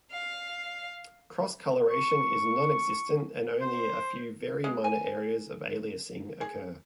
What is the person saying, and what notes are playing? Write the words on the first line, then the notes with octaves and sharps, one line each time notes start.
Cross coloration is non-existent and only a few very minor areas of aliasing occur.
F5
C#6
C5
G#3
G#5
G#4